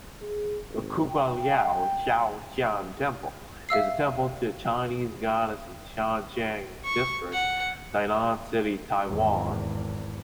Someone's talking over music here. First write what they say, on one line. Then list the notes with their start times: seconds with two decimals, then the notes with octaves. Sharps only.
The Kugualiao Chao-Tian Temple, is a temple to the Chinese goddess in Shanshang District, Tainan City, Taiwan.
0.22 G#4
0.70 G#1
1.10 G5
3.69 E5 F5 E6 C7
6.85 C#6
7.33 F#5
9.06 G#1 E2